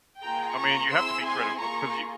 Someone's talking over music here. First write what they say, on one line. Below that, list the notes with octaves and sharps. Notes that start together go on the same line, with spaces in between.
I mean, you have to be critical, 'cause you
A#3 F4 G#4 G5 A#5
A#5 C#6
C4 E4 G#4 C6 E6
G#5 C6
A#3 F4 G#4 A#5 C#6